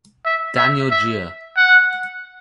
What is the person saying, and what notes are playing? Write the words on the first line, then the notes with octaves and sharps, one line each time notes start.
Daniel Jiya.
E5
E5
E5
F#5